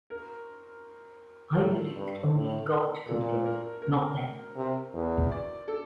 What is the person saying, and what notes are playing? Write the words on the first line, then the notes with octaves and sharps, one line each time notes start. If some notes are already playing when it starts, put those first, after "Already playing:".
I believed only God could give, not them.
A#4
A#4
A2 A4
G2
A2
A#2 A4
A#4
A#4
C3
E2
D5
A4